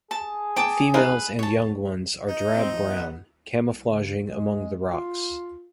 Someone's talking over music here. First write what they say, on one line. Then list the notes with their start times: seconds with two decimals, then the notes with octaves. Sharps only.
Females and young ones are drab brown, camouflaging among the rocks.
0.11 G#4 A5
0.57 B3 G5 A5 D6
0.94 C4 D#4 A#4 B4 F5
1.39 C#5 A5
2.29 D#4
2.55 C4
2.72 F3
2.88 B3
3.67 C2
3.89 C#3
4.25 G#3
4.93 F4